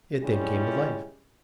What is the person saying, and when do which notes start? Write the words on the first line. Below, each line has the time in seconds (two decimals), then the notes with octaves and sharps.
It then came to life.
0.21 G3 G#3 C#4 E4